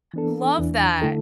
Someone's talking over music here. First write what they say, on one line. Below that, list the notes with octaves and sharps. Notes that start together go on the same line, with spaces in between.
Love that.
E3 B3 D4 A4
E2 E3 D4
D3 A3 E4 A4